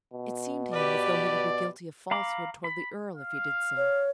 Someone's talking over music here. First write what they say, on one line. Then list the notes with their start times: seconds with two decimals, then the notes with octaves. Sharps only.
It seemed to him as though he would be guilty of falsehood towards the earl if he did so.
0.13 B2
0.73 G4 B4 D5
2.11 F5 A#5 B5 D6
2.64 B5
3.15 F5
3.77 C#5